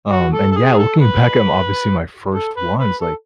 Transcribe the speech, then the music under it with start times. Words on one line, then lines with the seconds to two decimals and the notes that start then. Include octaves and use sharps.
Um, and, yeah, looking back, I'm obviously my first ones, like,
0.12 F#4
0.34 A4
0.52 A4
0.56 G#4
0.72 G#4
0.78 A4
1.01 B4
2.34 A4
2.57 B4
2.79 B4
3.01 A4